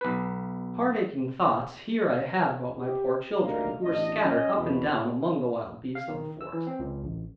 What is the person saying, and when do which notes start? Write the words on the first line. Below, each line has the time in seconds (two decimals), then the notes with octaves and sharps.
Heart-aching thoughts here I had about my poor children, who were scattered up and down among the wild beasts of the forest.
0.01 B1 B4
2.75 G4
3.39 D2 G3 A#3 D#4 A#4 F5
3.83 A1 B2 D4 D#5
4.22 C#4 D#5
4.55 E2 B2
5.95 F5
6.08 D#3
6.41 E6
6.53 E3
6.67 C4
6.79 C#2
7.04 A1